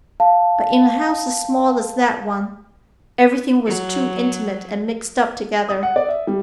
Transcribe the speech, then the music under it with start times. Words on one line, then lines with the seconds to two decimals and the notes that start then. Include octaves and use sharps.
But in a house as small as that one, everything was too intimate and mixed up together.
0.20 F5 A5
3.66 F#3
5.68 D#6
5.83 F#5
5.96 D5
6.09 E5
6.27 G3